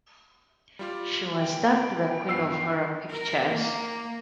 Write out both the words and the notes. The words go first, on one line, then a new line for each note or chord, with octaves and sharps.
She was dubbed the "Queen of Horror Pictures".
G3 F4 D5
B2 G5
G2 B3 E6 C7
A#4
A#3